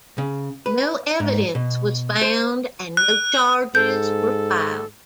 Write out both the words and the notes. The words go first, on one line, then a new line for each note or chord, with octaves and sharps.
No evidence was found and no charges were filed.
C#3
B4
G#2
B2
C5
F#6
G#2 A4 G6